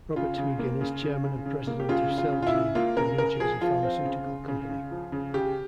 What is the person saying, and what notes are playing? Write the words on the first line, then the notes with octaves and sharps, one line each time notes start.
Robert Hugin is Chairman and President of Celgene, the New Jersey pharmaceutical company.
C#3 F4
C#3
A#3
C#3
C#3
C#3
C#3
A#3
G4
C#3 F4
C#3
F4
C#3
F4
E4
C#3
A#3 F4
C#3 A#4
C#3 A#4
F3 G#4
F3 F4
C4
C#3
C#3
C#3
C#3
F3
C#3
C#3 G4